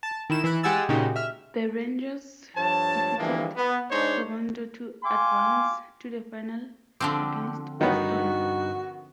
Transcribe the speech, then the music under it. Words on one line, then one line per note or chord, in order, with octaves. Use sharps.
The Rangers defeated Toronto to advance to the final against Boston.
A5
D#3 E4 E7
E3 E4 B5 F#6
G#3 G4 F#5 G#5 E6 A6
A#2 C#3 G#3 D#4 F#4 G4
E5 F6
G2 F3 C#5 A5
D3 E3 F3 G3 G#3 A#3
B3
G#2 G#3 D4 D#4 C5 C#5
F5 G5 G#5 C6 D6
D3 F3 C4 G5 D6
G2 D#3 B3 D#4 F#4